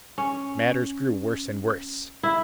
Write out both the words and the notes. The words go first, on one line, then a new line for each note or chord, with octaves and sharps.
Matters grew worse and worse.
C#4
E4